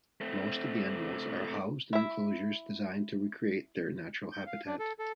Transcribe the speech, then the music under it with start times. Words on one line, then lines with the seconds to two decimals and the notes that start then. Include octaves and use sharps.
Most of the animals are housed in enclosures designed to recreate their natural habitat.
0.21 A3 C4
1.93 E4 E5
4.32 G6
4.47 F5
4.67 D4
4.79 A4
4.99 A4